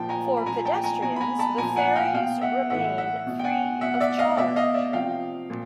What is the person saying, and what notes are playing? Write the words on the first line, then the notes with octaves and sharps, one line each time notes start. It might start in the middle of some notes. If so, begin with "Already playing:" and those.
For pedestrians, the ferries remain free of charge.
Already playing: A#2 F3 G5 A5
G#5 A#5
B5
A#2 F3 G#5 A#5
G5 A5
G#5 A#5
B2 G#5 A#5
B5
G#5 A#5
A5 B5
A#2 F3 G#5 A#5
F#5 G#5
F5 G5
B2 F5 G5
E5 F#5
A2 E3 E5 F#5
E5 F#5
B2
G5
F#5 G#5
B2 E5 F#5
D5 E5
D#5 F5
B2 D5 E5
D#5 F5
D5 E5
C3 F3 F5 G5
A#2 F3